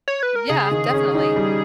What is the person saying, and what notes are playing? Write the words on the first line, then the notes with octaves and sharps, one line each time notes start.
Yeah, definitely.
C#5
B4
A#4
C#3 G#4
D#3
C#4
D#4
G3